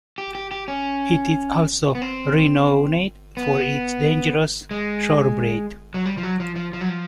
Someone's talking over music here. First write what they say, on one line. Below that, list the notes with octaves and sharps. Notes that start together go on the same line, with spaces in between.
It is also renowned for its dangerous shorebreak.
G4
G4
G4
C#4
B3
C4
B3
G#3
F#3
G3
F3
F#3
F3
F3
F3
F#3
F3